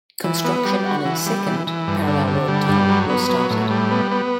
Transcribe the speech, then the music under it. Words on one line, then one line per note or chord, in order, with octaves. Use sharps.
Construction on a second, parallel road tunnel was started.
E3
B3
G3
F#4
E3
G3
E3
E3
G2
D3
D3
G3
G2
F#3
B3
F#3
A2
G3
B3
B3